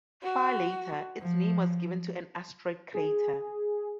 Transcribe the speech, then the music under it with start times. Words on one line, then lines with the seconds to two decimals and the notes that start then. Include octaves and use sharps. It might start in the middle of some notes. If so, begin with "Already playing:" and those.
Far later, its name was given to an asteroid crater.
0.23 F#4
1.19 F3
2.94 G#4